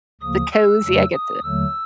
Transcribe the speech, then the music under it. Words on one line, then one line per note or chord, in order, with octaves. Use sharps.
The cozy. I get the
D2 C#3 F3 A#3 D#6
E6
F2 C#3 F#3 A3
D#6
D#2 D3 F#3 A3 E6